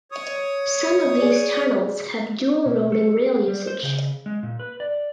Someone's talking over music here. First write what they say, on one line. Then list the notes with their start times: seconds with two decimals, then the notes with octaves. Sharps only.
Some of these tunnels have dual road and rail usage.
0.12 C#5 D#6
1.19 G#4 D5
2.66 B2
2.92 A4
3.19 G#4
3.48 G3
3.67 C5
3.83 C#3
4.26 G#3
4.43 A#2
4.60 B4
4.80 D5